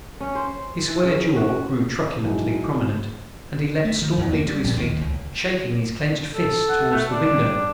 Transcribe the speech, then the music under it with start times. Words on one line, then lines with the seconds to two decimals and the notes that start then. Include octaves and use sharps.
His square jaw grew truculently prominent, and he leapt stormily to his feet, shaking his clenched fists towards the window.
0.20 C#4
0.35 C5
0.88 E3
1.03 C#3
1.36 F#4
2.23 B1 E3 F#3 G#3
3.84 A3
4.02 D#3
4.18 E2
4.33 A#3
4.47 G3
4.64 A#1
4.77 D#2
5.01 C#2
6.32 A4
6.69 F#5
6.91 A3
7.11 G3 D4